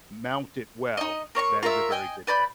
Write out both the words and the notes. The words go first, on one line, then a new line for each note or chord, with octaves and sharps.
mounted well, that is a very good thing.
D#4 D#5
A#3 C#5 A#5 C#6
F4 A#4 C#5 E5
D#5 G5 G#5
B4 D5 B5 G6